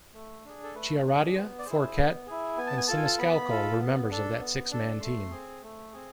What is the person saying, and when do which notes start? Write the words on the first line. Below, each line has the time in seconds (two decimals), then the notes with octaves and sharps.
Chiaradia, Forquet, and Siniscalco were members of that six-man team.
0.14 A3
0.45 D4 G#4
0.64 A4
0.75 A3 B4
1.05 D4 G#4
1.35 B3 C5
1.59 D5
1.66 E4 G#4 C5
1.97 B3
2.27 E4 G#4
2.57 B3 G#5
2.67 A5
2.77 G#5
2.88 F4 A4 A5
2.97 G#5
3.06 A5
3.19 B3 B5
3.50 F4 A4
3.80 B3
4.11 D4 A4
4.40 B3
4.71 D4 A4
5.01 A3 C6
5.31 C4 G#4
5.63 A3
5.93 C4 G#4